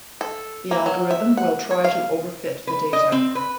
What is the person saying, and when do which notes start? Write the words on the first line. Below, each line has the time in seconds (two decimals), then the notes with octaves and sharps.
The algorithm will try to overfit the data.
0.21 A4
0.71 A#3
0.86 F#3
1.11 E5
1.37 F#5
1.71 C#5
1.84 F5
2.67 B4
2.93 D#5
3.12 C4
3.35 B4